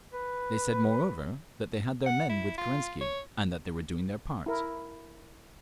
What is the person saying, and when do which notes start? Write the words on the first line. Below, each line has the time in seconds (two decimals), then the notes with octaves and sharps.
They said moreover that they had their men with Kerensky, and that they were doing their part....
0.13 B4
2.06 F#5
2.29 E4
2.58 F4
3.01 C#5
4.46 E4 A#4